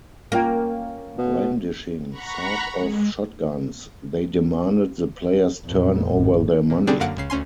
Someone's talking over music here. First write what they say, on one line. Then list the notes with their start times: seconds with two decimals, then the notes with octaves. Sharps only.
Brandishing sawed-off shotguns, they demanded the players turn over their money.
0.32 A#3 C#4 F4 G5
1.18 B2
2.10 F#5 A#5 B5 C#6
2.77 G#3
5.70 A#1 F2
6.12 G#1 A2
6.70 A#2
6.87 D3 G3 C4 D4 G#4
7.00 F#2 D3 A#3 F5 F#5 D7
7.17 C#2 C#3 C7
7.30 D2 C#4 G#5 C6